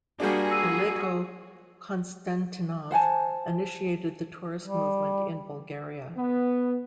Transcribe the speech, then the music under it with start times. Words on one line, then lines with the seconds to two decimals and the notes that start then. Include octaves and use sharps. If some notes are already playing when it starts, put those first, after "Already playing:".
Aleko Konstantinov initiated the tourist movement in Bulgaria.
0.20 G3 A#3 D4 F#4 G#4
0.51 E6 C7 D#7
2.91 C5 F#5 G#5 A5
4.63 G3
6.17 B3